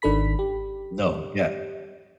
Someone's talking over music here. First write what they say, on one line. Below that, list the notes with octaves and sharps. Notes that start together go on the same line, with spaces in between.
No, yeah.
G#1 D#3 D4 A4 B5 B6
G4